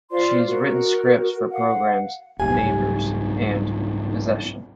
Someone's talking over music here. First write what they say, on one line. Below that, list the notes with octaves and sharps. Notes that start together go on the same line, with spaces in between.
She has written scripts for programme's "Neighbours" and "Possession".
F4 C5 D5 C6
F#4 A#4
F5 F#5
F#1 C2 G#2 G4 G#5